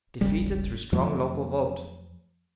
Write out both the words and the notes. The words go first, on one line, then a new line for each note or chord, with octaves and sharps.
Defeated through strong local vote.
D#1 G#1 C#3 G3
F2 F3 F#3 A3